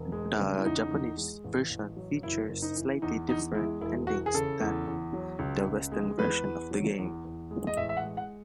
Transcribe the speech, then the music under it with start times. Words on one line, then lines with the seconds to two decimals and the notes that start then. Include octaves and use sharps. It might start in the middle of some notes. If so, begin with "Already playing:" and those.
The Japanese version features slightly different endings than the western version of the game.
Already playing: E1
0.12 G#3
0.39 C#3
0.57 E4
0.64 E2 D#4
0.91 E2
1.17 G#3
1.44 A1
1.70 A1
1.97 F#3
2.23 F#1 E4
2.49 F#1
2.62 D#4
2.76 E3
3.02 E2 D#4
3.28 E2 D#4
3.55 G#3 E4
3.81 E1 E4
4.07 E3 F#4
4.26 G#4
4.34 C#3 A4
4.61 E2
4.87 E2
5.14 F#3
5.39 C#2
5.65 C#2
5.92 G#3
6.19 E2 B4
6.45 E2
6.71 F#3
6.98 E2
7.25 E2
7.51 G#3
7.67 D#5
7.77 A1 E5
7.89 E5
7.97 F#5
8.03 G#3
8.17 F#5